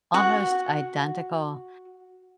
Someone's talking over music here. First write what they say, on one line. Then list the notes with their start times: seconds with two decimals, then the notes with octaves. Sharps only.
almost identical
0.14 F#4 F#5